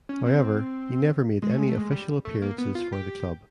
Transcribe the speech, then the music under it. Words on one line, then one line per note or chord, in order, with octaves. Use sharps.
However he never made any official appearances for the club.
C#4
C4
G#3
A3
G#3
A3
G#3
G3
A3
A#3
B3
F4
G4